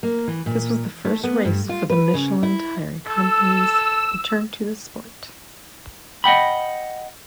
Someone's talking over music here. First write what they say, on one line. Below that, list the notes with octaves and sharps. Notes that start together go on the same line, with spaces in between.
This was the first race for the Michelin tyre company's return to the sport.
A#3
E3
A#2
A3
B3
G2
F4
B4
C#3
E4
A4 E6
D#5 F#5 G5 B5